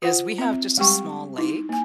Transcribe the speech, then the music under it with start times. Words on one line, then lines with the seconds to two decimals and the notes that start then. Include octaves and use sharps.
is we have just a small lake,
0.02 F4 C5 F#5
0.38 C4 E5
0.77 G3 G#3 G4 G5 C#6
1.38 D#4 E4
1.69 A#3 G#5